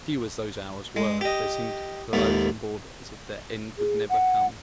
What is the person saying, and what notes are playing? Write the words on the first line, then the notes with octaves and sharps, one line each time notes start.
Few as those hours were, they seemed to those on board as if their end would never come.
G#3
G4 D#5
D#2 G#2 A3
G#4
F#5